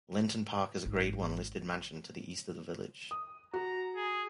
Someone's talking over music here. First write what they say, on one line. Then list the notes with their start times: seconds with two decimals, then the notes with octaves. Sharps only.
Linton Park is a Grade One listed mansion to the east of the village.
0.86 G#1
3.11 D#6
3.53 F#4 A#5
3.96 G#4